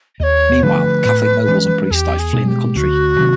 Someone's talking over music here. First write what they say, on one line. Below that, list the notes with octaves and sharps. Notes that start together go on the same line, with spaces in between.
Meanwhile, Catholic nobles and priests started fleeing the country.
D#2 C#5 D#5
D3 F3 A3 B4
A2
E3 G#3 C#4
E2 G4 G#4
G#4
B2 G#3
G4
D2 F#4
C3 D#3 F#3